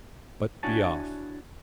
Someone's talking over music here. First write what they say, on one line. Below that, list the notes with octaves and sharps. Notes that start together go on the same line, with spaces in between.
But be off!
D4 E4 F#4 C#5 G#5 A5